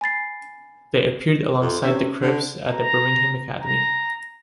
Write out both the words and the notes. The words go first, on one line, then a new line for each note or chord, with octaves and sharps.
They appeared alongside The Cribs at the Birmingham Academy.
G#5 B5 A6 C7
F2
C3 C#4 E5
D3
A#5
A#5